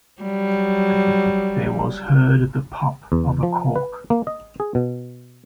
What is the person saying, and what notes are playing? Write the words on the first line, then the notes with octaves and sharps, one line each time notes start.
There was heard the pop of a cork.
F#3 G3
E2
F3
B4
A#3
D#5
G#4
B2